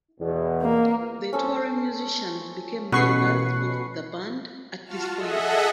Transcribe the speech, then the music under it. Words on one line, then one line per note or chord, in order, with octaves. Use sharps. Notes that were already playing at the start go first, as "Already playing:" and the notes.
The touring musicians became members of the band at this point.
E2 B2
A#3
C#4 A4 C5
A1 B2 B4 C#6 C7
F4 F#4 A5 F6
G#4 A4 D#5 E5 F#5